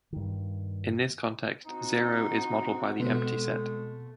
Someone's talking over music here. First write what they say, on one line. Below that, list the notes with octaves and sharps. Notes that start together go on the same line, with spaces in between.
In this context, zero is modelled by the empty set.
G2 D#3
C4 D#4 F#4
B2 G#3 A3